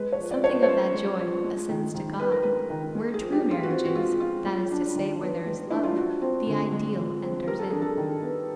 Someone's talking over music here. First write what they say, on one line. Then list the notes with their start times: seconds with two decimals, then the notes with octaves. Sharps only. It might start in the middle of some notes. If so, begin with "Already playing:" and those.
Something of that joy ascends to God. Where true marriage is, that is to say, where there is love, the ideal enters in.
Already playing: G#3 B4
0.13 C#5
0.19 F3
0.31 D5
0.44 F3 C#5
0.50 C5
0.63 C#5
0.69 C#4 C5
0.94 G#3
1.19 F3
1.44 G#3
1.69 D#3
1.95 D#3
2.20 B3 B4
2.32 A#4
2.43 G#3 B4
2.70 D#3
2.95 G#3
3.14 G#4
3.20 F3
3.32 G4
3.46 F3
3.51 F4
3.63 F#4
3.70 C4 F4
3.85 F#4
3.95 G#3 F4
4.20 F3 F4
4.46 G#3
4.71 D4
4.96 D#3
5.21 B3
5.46 G#3
5.71 D4 E4
5.83 F4
5.96 F3 F#4
6.21 C4
6.47 D3
6.72 G#3
6.97 F3
7.22 C4
7.47 G3 A#4
7.59 A4
7.70 D4 G#4
7.82 A4
7.97 D#3
8.22 B3